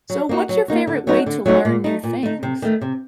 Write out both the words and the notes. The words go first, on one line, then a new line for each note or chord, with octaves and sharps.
So, what's your favorite way to learn new things?
F#3
A#3 D#4 F#4
F#3
A#3 D#4 F#4
D3
F#3 A3 D#4 F#4
D3
F#3 A3 D#4 F#4
A#2
A3 D#4
A#2
A3 D#4
C3
D#3 A3
C3